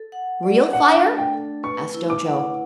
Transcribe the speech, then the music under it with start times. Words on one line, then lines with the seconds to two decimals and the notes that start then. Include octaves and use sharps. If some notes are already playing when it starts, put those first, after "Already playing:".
"Real fire?" asked Ojo.
Already playing: A4
0.12 F#5
0.43 D5
0.73 D4 F#5
1.03 A3
1.18 G5
1.34 A4
1.63 B4 C#6
1.94 E4
2.10 D6
2.24 F#5